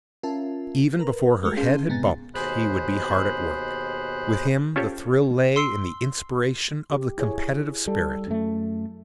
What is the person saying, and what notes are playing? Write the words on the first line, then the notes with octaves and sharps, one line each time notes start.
Even before her head had bumped, he would be hard at work. With him the thrill lay in the inspiration of the competitive spirit.
C#4 F4 A#4 E5 A5
A#4 B4 A#5
G#3 A3 F#4 A#4
C#4 G#4 F5 A5 C6 G6
G#2 C3 B3 G#5 A#5 A6
D#2 B2 G#4 C5 B5 F#6
C#4 F4 G4 A4 C5 C#5
C6 E6 C7
G4
E4 G#4 C#5
G3 A4
F#2 A3